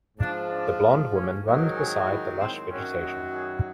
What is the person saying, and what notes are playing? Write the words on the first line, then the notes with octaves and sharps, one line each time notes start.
The blond woman runs beside the lush vegetation.
G#2 F3 D4
D4
C#4
G#2 D#3 F#3
C#4
E4
C4
F#2 D#3 F#3 C#4
D#4
G#4